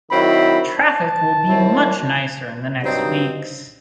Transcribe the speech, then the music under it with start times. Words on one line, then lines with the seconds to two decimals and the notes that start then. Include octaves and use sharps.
Traffic will be much nicer the next weeks.
0.10 D#3 F#3 C4 E4 B5
0.78 A5
1.46 D#3 F#3 C4 E4
2.82 G2 F#3 C4 D#4